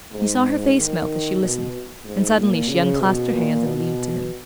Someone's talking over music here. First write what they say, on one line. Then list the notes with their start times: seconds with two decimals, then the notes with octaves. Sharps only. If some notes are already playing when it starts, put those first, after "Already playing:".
He saw her face melt as she listened, and suddenly she unclasped her hands and leaned to him.
0.12 G#2
0.77 D#3
1.40 B2
2.04 G#2
2.37 A#2
2.68 C#3
3.00 B2
3.32 A#2
3.64 B2